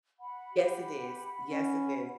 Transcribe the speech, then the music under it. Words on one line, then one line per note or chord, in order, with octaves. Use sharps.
Yes, it is. Yes, it is.
F#5 B5
G4
C#4